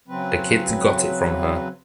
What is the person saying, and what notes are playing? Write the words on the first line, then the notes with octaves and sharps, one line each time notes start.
The kids got it from her.
C#3 F#3 C4 B4